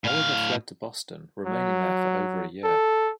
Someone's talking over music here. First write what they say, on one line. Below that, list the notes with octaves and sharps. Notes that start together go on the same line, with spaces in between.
Oliver fled to Boston, remaining there for over a year.
A2 F5
F#3
A4